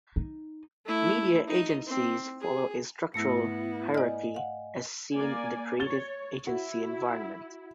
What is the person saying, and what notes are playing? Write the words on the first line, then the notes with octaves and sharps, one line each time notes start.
Media Agencies follow a structural hierarchy as seen in the creative agency environment.
D#4
A3 E4
D#4 D#5
C4
G#4
G#2 A3 B3 E4 E6 A#6 C#7
D5 D#5 G#5 F6
F5 F#5
A#3 D5 G#5
C#5 A6 G7
E4 F#4